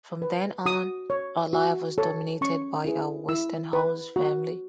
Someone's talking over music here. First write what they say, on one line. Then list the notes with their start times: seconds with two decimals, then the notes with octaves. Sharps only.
From then on her life was dominated by her Westenholz family.
0.22 B4
0.66 F#4 D#6
1.10 C#5
1.53 F#4
1.98 A4 C#5
2.41 C#4 C#6
2.85 E4 G#4 B4
3.28 E4 E6
3.73 B4
4.16 F#4